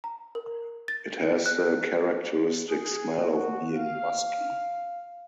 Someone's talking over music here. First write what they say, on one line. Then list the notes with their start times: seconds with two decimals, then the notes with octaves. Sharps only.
It has the characteristic smell of being "Musky".
0.04 A#5
0.35 A#4
0.88 A6
1.46 F#6
2.69 G#4
3.20 F#4
3.73 F5